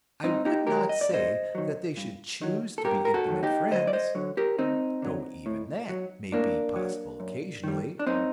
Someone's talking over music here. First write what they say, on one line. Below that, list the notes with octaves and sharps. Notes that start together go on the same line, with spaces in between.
I would not say that they should choose to be intimate friends--though even that may be possible occasionally.
G2 C4 D#4
D#4 G4
D#3 F#3 G4 A#4
D#5
D5
G2 C5 D#5
D#3 F#3
G2
D#3 F#3
A4
G2 G4 A#4
A#4
F#4 A4
D#3 F#3
D#4 G4
D2 C5 D#5
D5
C5 D#5
D3 F#3
G4 A#4
D2 C4 D#4
D3 F#3
A2
F#3
A2 A#3 D4
F#3
F#2
D#3 G3
D4
F#2 C4 D#4